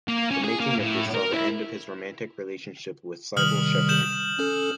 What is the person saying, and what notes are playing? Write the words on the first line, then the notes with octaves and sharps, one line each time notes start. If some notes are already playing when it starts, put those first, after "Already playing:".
The making of this saw the end of his romantic relationship with Cybill Shepherd.
A#3
C#4
G#4
A#3
A2
A#4
E4
C3 D#3 G3 D#6 F6 F#7
G6 E7 F#7
C#4 A4